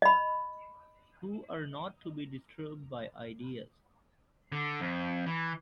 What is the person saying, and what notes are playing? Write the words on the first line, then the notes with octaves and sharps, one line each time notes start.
Who are not to be disturbed by ideas.
D#5 B5
D3
F2
E3